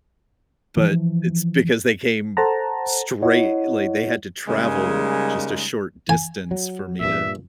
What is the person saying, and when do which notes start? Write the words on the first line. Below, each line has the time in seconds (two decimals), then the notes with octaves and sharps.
but it's because they came straight, like, they had to travel just a short distance for me to
0.77 E3 F3
2.37 A4 C5 F#5 A5 A#5
3.22 E4 C#5 D#5 F#5
4.47 C#3 G3 G#3 A#3 D#4
6.09 G#5
6.51 F#3
7.01 G2 A#2 E5